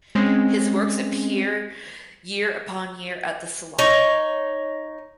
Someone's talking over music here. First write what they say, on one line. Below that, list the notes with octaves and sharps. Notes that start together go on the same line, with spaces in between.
His works appear year upon year at the Salon.
G#3 C4 C#4
D#4 C#5